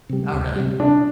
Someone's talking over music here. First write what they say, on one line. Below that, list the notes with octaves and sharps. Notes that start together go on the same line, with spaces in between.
Oh, really?
C3 G3
D2
C3 G3
C3 D4